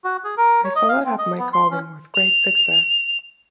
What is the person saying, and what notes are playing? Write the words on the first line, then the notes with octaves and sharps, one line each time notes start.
I followed up my calling with great success.
F#4
G#4
A#4
C#5
D#5
F5
C4
D#5
B3
C6
C#4
F7